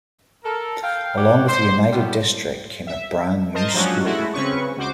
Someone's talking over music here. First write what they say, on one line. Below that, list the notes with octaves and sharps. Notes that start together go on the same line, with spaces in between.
Along with a united district came a brand new school.
A4 A#4
F5 G5
G3 F#4 G4 C#5 D5 F#5
C5
A2 G3 B3
E5
A#4 C5 D#5 A5
F3 F#3 G#3 C#4 D4 F#4
G#3 A3 E4 F#4
C#3 C4 C#4 B4 C#6
C#2 F#4 C5 D6